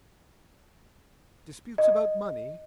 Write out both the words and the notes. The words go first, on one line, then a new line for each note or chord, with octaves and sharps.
"Disputes about money?"
D#5